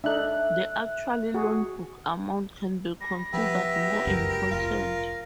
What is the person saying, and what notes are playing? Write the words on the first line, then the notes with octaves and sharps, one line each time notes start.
The actual loan book amount can be considered more important.
D4 D#4 A4 E5 F#6
F#4 G#4
G3 A#6
F3 B3 G4 B4 E5
F1 C#2 F#2 A#4
F1 F4